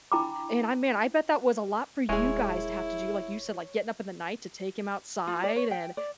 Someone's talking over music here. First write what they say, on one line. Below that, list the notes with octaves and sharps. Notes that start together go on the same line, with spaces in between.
and I man, I bet that was a lot for you guys to have to do, like you said, like, getting up in the night to take him outside and
D4 E4 G5 A#5 B5 D6
D#1 G#3 E4 G#4 C#5
F4
D5
C#5
G5
D5